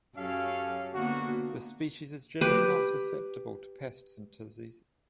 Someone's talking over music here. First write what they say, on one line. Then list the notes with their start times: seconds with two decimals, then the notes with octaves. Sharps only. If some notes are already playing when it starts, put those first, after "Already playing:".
This species is generally not susceptible to pests and diseases.
0.16 F#2 C#4 G4 A4 F5
0.93 D3 A#3 B3 F#4
2.41 G4 B4